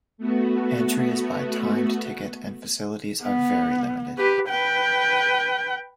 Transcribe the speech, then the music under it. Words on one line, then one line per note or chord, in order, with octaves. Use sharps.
Entry is by timed ticket, and facilities are very limited.
A3 B3 F#4
B3
G4 B4
B4 G5